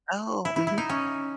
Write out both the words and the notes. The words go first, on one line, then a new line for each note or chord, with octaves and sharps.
Oh, mhm.
E4
E4
E4
D#4
C#4